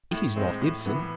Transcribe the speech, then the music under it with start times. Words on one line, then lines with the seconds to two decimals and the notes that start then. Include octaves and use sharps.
It is not Ibsen.
0.11 A2
0.36 G#3 C4
0.61 A2
0.86 E3 B3